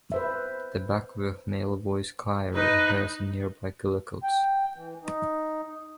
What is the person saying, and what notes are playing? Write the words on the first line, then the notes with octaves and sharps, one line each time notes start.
The Backworth Male Voice Choir rehearse in nearby Cullercoats.
B4 C5 E5
D#4 B4
G5
E3
D#4